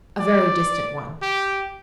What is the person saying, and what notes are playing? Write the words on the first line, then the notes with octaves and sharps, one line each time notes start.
"A very distant one."
D5
G4